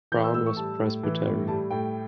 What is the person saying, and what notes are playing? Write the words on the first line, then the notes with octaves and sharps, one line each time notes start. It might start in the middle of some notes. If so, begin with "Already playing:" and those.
Brown was Presbyterian.
E3 G6
E6
A2 E6
C#6
G3 A5
A2
E3
A2
G3 A5
A2 G5